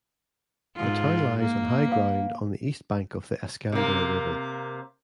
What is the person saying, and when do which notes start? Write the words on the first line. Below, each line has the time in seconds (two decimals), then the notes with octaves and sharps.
The town lies on high ground on the east bank of the Escambia River.
0.75 G#2 F4
1.39 A#3
1.88 B4 F5
3.72 C3 A#3